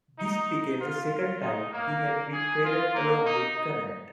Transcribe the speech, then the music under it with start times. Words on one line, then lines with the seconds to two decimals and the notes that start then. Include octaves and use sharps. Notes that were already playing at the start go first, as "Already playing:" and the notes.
This became the second time he had been traded along with Kunnert.
0.18 D#4
0.80 F4
1.11 F4
1.42 D#4
1.72 A#3
2.33 G#4
2.64 F4
2.95 A#3
3.25 D#4
3.56 D#4